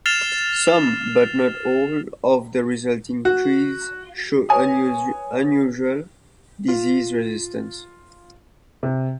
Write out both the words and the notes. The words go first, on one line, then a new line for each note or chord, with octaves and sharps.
Some, but not all, of the resulting trees show unusual disease resistance.
F6 A6 C7 E7 F7
F#4
B4 C#5 G#5 D#6
F4
C3